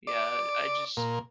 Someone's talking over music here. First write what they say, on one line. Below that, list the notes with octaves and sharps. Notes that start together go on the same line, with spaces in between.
Yeah, I just
D5
A#2